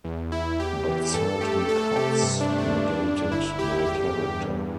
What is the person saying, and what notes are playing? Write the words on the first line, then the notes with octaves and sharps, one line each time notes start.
But certain cuts negated my character.
E2
E2 E4
E2 G4
E3
G2 A4
A3 G4
A3 A4
C3 G4
G2
D4
A3
D4
G2
G2
G1 E4
G1 G4
E2 G4
E2
G2